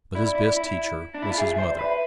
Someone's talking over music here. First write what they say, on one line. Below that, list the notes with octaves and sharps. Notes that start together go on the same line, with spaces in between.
But his best teacher was his mother.
E4 D5
E4
E4
D4
E4
F4
G#4 E5
E5
C5
D5
B4
E5